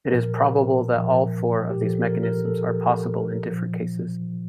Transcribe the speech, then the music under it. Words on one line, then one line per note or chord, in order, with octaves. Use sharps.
It is probable that all four of these mechanisms are possible in different cases.
A#2 F3 A#4
A#2 F3
G4
A#2 F3 A4
A#4
A#4
A4
A#2 F3
A#2 F3